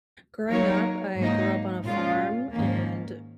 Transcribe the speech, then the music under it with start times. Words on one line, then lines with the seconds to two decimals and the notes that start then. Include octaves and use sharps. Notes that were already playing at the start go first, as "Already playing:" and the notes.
growing up, I grew up on a farm and
0.48 F#3 A#3 D#4 A#4 C#5
1.17 G#2 F#3 A#3 D#4
1.84 A#2 G#3 C#4 F4
2.53 G#2 D#3 A#3 C#4